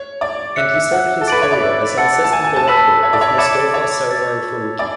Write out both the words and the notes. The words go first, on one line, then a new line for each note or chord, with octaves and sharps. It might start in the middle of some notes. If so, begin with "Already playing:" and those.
And he started his career as an assistant director of Mostofa Sarwar Farooki.
Already playing: C#5
D5
E5 D6 F#6 C#7
E5
F#5
A4
B4 D6 A6 D7 F#7
C#5
D5
E5
F#5 A5 E6 A6 C#7
A5
G#5
G#5
A5
B4 A5 E6 B6 F#7
C#5
D5
C#5
E5
D5 B5 D6 G#6 C#7 E7
C#5
A5 E6 A6
D5 G#5 B5